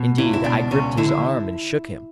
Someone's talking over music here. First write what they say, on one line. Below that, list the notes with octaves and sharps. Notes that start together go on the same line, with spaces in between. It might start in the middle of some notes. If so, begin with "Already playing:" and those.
Indeed I gripped his arm and shook him.
Already playing: B2
C#2 E4
E4
B2 D4
C#2 C#4
D3 E4